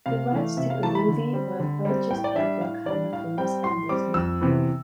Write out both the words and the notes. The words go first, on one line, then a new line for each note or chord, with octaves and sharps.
The rights to a movie were purchased by Bruckheimer Films and Disney.
C3 F5
E3 A3
C3 E5
F5
E3 A3 A5
B5
D3
G3 C4
D3
G3 C4
A2 G5
D5
G3 D4 E5
A2 F5
G3 D4 D5
A2 F5
G3 C4 G5
A2 C6
G3 C4 D6
F2 E6
C3 E3 B3